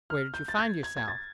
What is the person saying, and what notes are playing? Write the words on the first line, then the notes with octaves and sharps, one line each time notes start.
"Where did you find yourself?"
F6
G6
A6
G#6
G#6
G#6
A6